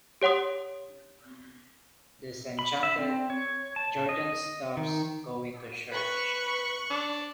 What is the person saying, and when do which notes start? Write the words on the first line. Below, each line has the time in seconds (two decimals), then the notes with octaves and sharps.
Disenchanted, Jordan stops going to church.
0.22 G4 C#5 F#5 C6 D#6
2.59 B5
2.83 E5
2.98 C4
3.30 C#5
3.76 A5
4.09 D#5
4.77 D#3
5.92 B4 C#6 F#6
6.90 D4